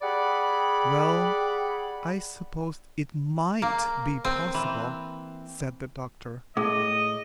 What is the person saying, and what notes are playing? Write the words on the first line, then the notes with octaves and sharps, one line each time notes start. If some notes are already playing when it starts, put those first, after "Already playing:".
"Well, I suppose it MIGHT be possible," said the Doctor.
G4 G#4 D5 F#5 B5
A#3
C4
E3
A2 G#4 D#5